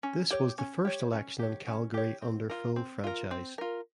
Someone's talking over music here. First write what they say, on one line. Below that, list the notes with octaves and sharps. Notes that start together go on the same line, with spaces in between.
This was the first election in Calgary under full franchise.
C#4
G4 C#5
C#4
G4 C#5
C#4
G4 C#5
C#4
G4 C#5
C4
F4 A#4
C4
F4 A#4
C4
F4 A#4